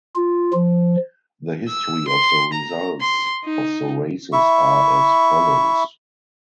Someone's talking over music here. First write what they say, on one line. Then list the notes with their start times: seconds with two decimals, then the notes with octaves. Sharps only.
The history of the results of the races are as follows.
0.16 F4
0.53 F3
1.69 E6
2.08 C6
2.53 A#5
3.01 C6
3.45 D#4
4.33 E4 E5 C#6